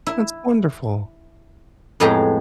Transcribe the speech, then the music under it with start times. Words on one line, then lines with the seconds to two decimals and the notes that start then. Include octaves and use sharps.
That's wonderful.
0.07 E4
2.00 F2 A2 G#3 B3 G4 A#5